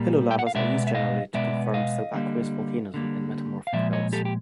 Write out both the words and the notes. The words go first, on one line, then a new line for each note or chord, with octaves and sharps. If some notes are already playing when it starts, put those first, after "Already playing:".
Pillow lavas are used generally to confirm subaqueous volcanism in metamorphic belts.
Already playing: A#2 G3 A#3
G5
F#5
F5
B2 G#3 B3 D5 E5
E5
D#5 F5
B2 G#3 B3 D5 E5
D#5 F5
D3 G3 A#3
D3 G3 A#3
F5
A#2 F3 G#3 D5 E5
C#5 D#5
G4 A4
G4